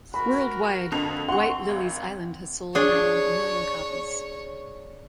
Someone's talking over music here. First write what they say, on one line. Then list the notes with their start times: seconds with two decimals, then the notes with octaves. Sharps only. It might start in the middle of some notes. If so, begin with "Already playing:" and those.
Worldwide, "White Lilies Island" has sold around a million copies.
0.14 F#4 A#4 B5
0.92 F2 D3
1.28 C4 F#5 C6 C#6
1.68 G#1
2.75 D4 G#4 C#5